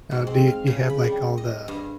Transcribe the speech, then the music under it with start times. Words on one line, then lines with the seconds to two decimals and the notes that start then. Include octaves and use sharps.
Uh, do you do you have, like, all the,
0.11 G#2
0.27 C4
0.48 F5
0.67 C#3
0.90 B5
1.04 G3
1.38 D#5
1.68 G2